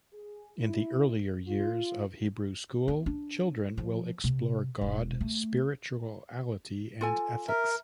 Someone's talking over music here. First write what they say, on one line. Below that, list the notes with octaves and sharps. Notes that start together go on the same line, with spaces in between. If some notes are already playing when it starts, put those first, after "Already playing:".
In the earlier years of Hebrew school children will explore God, spirituality and ethics.
G#4
E4
F4
B3
D4
F3
C3
E1
A3
F4 A4 G#5
A#4 E5